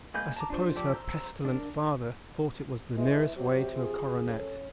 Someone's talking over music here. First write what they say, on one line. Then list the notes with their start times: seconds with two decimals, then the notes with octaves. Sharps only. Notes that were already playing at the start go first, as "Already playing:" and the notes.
I suppose her pestilent father thought it was the nearest way to a coronet.
0.14 G#3 A#3 G#4 B4 G6
0.36 A5 A#5 D6
0.50 D4 F4 C5
0.75 F3 G4 A4 D5
0.94 C5 A#5 E6
1.45 D4 A#4
2.97 G#3 E4 B4
3.36 C3 F#3 G4
3.75 F4 G#4
4.28 C#4 A4